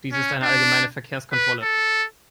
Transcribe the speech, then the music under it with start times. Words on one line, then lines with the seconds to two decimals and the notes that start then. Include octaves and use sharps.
Dies ist eine allgemeine Verkehrskontrolle.
0.12 C#4
0.42 D4
1.32 B4
1.62 A4